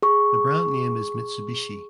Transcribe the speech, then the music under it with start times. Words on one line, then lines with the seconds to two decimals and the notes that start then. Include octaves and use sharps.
The brand name is Mitsubishi.
0.02 G#4 C#6